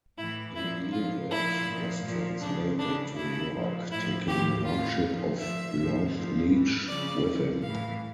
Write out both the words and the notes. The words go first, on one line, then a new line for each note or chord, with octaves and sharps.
In Ealdred was translated to York, taking lordship of Lorthleach with him.
A2 E3 E4
A#2 F3 E4
A#2 F3 F4
A#2 F3 E4
A#2 F3
A#2 F3
C#3 F3 D4
C#3 E3 D4
C#3 E3 E4
A#2 F3
A2 F3 E4
A2 F3 G4
A2 E3 F4
A#2 F3
A#2 F3 E5
A2 F3
A#2 F3
A2 E3
C#3 F3 D5
A#2 F3
A2 E3 F5